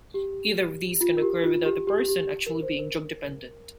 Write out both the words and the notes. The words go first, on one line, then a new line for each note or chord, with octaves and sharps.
Either of these can occur without the person actually being drug-dependent.
G4
F4
A#4
G4
F4
G4
G4
G4
A#4
C5
A#4